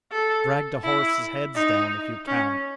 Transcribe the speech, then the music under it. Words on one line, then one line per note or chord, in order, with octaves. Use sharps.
Drag the horses' heads down, if you can!
A4
E4
D#4
C#4